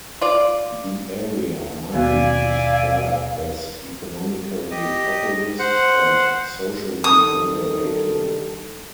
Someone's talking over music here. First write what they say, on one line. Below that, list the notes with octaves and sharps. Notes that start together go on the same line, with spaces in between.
The area might be described as economically populist and socially conservative.
F4 D5
D#2 B2 D5 E5 F5 G#5
G4 D#5
C5 F#5
G2 D#3 A4 D#6